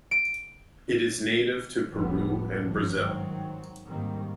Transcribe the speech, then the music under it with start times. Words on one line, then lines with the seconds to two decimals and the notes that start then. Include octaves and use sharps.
It is native to Peru and Brazil.
0.11 D7
1.93 F1 C#2 A2 F3 G3 B3
2.66 G#1 C#2 G2 F3 G3
3.00 D#3 F#3 C4
3.88 G#2 D#3 G3 A#3 C4